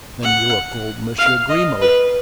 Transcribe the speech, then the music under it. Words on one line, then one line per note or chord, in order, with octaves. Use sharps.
"Then you are called Monsieur Grimaud?"
F#5
F5
D#5
B4